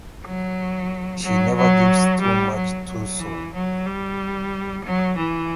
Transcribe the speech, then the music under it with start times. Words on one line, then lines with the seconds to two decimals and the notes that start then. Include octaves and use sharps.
She never gives too much too soon.
0.25 F#3
1.22 F#3
1.56 F#3
2.21 G3
2.55 F#3
2.86 F#3
3.19 E3
3.53 F#3
3.86 G3
4.84 F#3
5.17 E3